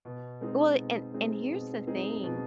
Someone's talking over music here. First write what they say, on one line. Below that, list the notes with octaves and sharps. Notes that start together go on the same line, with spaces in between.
well, and and here's the thing,
B2
G#3 C4 D#4 G#4
B2
G#3 C4 D#4 G#4
B2
G#3 C4 D#4 G#4
B2